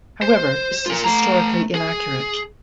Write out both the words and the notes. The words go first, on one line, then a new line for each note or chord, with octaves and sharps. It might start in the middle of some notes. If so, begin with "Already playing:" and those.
However, this is historically inaccurate.
C5
F4 A#4
A3 A#5
G#4